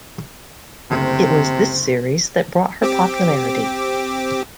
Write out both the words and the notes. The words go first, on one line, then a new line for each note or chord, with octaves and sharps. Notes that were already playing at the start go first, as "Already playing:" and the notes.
It was this series that brought her popularity.
F#1 D2 C3
C4 G4 D6